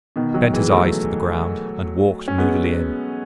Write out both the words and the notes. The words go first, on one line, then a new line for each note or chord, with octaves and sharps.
He bent his eyes to the ground, and walked moodily in.
B2 D#3
D#3 F#3
E3 G#3
F#3 A3
C#4
G#3 B3